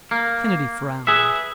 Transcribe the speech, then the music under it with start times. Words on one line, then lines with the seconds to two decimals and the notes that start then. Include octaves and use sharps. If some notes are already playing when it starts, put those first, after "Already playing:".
Kennedy frowned.
0.11 A#3
1.07 G#4 B4 E5